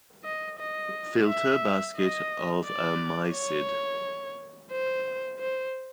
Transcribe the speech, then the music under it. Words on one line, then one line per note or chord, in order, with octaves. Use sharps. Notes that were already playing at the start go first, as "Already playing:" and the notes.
Filter basket of a mysid.
D#5
D#5
E5
D#5
D5
C#5
C5
C5